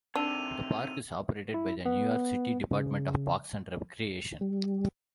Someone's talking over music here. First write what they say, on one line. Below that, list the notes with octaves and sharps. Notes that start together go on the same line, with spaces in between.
The park is operated by the New York City Department of Parks and Recreation.
C3 D#3 D4 E6 D#7 F7
E4
B3
C#3
G3